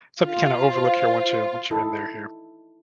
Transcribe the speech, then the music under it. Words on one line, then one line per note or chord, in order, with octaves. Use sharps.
something you kinda overlook here once you once you're in there here.
F4
C5
D#4 E4 A4